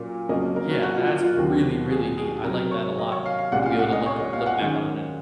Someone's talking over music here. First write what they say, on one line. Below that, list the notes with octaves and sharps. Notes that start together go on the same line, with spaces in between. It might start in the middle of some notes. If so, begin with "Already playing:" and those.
Yeah. That's really, really neat, I like that a lot, to be able to look up look back on and
Already playing: A#2 F#3 A#3 C#4
F2 C#3 F#3 A#3 C#4 D#5
A#4
F#4
F#4
F4
F4
F4
D#2 D#3 F#3 C4 F#4
G#4
G#4
C3 F#3 C4 A#4
C#5
D#5
C#5
F5
F5
C2 A#2 G#3 C#4 F#5
F5
F#5
D#5
C#5
D#5
F5
F#5
F#2 D#3 G#3 C#4